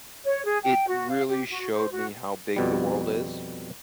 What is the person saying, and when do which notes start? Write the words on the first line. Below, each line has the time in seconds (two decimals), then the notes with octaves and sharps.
it really showed me how big the world is.
0.25 C#5
0.45 G#4
0.62 G5
0.86 F#4
1.09 F5
1.28 G4
1.50 F#4
1.73 C5
1.92 F#4
2.57 F2 B2 G3